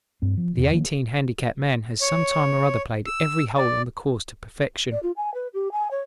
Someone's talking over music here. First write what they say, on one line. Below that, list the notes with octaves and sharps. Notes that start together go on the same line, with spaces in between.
But the eighteen-handicap man has some time or other played every hole on the course to perfection.
G2 C4
F3
E2 C3
D#3 F3 A#3
C#5
E6
D5
D5
F4
G#5
B4
G4
G#5
C#5